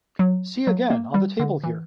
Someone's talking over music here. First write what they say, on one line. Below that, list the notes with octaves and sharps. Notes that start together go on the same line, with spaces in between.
See again, on the table here!
F#3
F#3
A#3
G3
D3
E3